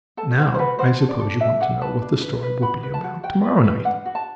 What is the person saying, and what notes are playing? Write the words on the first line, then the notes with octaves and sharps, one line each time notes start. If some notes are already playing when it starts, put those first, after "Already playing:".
But now I suppose you want to know what the story will be about to-morrow night.
A4 A5
F#4 C5
C5
F#4 B4
F#4 C5
A4
D5
A4
D4 E5
D4 F#5
B4 A5
D4
B4
B4
F#4 B5
B4
A5
F#4
F#4 G5
B4
B4
D4 F#5
F#4
A5